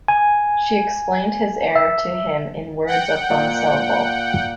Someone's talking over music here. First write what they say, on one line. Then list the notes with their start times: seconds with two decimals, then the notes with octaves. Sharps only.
She explained his error to him in words of one syllable.
0.08 G#5
1.76 E5
2.87 F#5 G5
3.30 A#2 A#3 D5